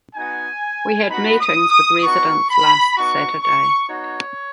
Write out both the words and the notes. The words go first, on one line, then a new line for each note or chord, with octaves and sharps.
We had meetings with residents last Saturday.
B3 D#4 F#4 G#5
B3 D#4 F#4 B5
D#6
D#6
B3 D#4 F#4 C#6
B5
B3 D#4 F#4 C#6
C#6
B3 D#4 F#4 C#5